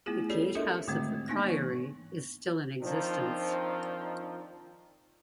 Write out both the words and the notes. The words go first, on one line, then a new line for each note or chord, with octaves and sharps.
The gatehouse of the priory is still in existence.
A3 B3 E4 F4 G#4
C#4 F4 G4 A4 C#5 D5
D4 F4 A4 A#4 D#5 E5
G#2 D3 D#3 G#3 A3 C4
A#3 B3 D4 D#4 F#6 A#6
E3 C#6
D#3 F3 C4 D4 D#4